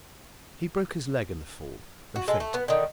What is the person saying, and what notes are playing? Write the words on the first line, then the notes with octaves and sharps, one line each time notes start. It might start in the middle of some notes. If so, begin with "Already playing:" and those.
He broke his leg in the fall, and fainted.
F#4
G#3 A4
A3
B3
D3 D#3